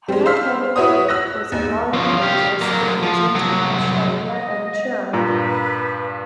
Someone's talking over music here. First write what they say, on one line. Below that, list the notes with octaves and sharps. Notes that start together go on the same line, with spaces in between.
Hannah Campbell-Pegg was the lone lugist representing Australia in Turin.
G3 G#3
C5 F5 E6 F6 B6
E4 F#4 B4 C#5 D#6
E6 F#6 A#6
D#2
F3 C#4
G4 F5
F#3 A#3
F3
C2 F#3
D#5
G2 A#2 B4 A#5